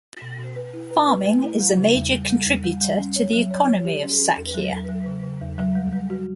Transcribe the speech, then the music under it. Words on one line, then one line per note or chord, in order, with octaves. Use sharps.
Farming is a major contributor to the economy of Sachkhere.
B2
B2
B4
E4
B4
B4
A3
E4
G3
C#3
E2
G3
G3
E2
G3
G3
C#4
C#5
F#3
C#5
C#5
G4
C#4
C#4
E2
F#3
E2
F#3
C#3
C#3
E2
F#3
G3
G3
F#4